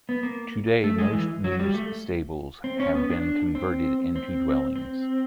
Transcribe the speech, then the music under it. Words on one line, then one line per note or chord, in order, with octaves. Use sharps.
Today most mews stables have been converted into dwellings.
B3
A#3
A3
G#3
E3
F#3
G3
A3
C4
C#4
B3
D4
C4
C4
C4